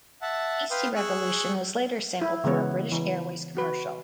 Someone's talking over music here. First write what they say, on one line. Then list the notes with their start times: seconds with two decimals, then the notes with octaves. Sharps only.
"Beastie Revolution" was later sampled for a British Airways commercial.
0.22 E5 F#5 A5
0.71 B4 F5 G5 C6 D#6
0.96 G#4 C#6 E6 F#6
2.21 E4
2.44 C#3 E3 G#3 B3 C#5
2.92 E3
3.57 F#4 B4